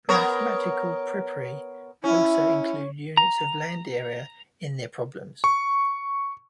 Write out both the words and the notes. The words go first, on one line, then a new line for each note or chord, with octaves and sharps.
Mathematical papyri also include units of land area in their problems.
B3 A#4 C#5
C#4 E4
A#5
C#6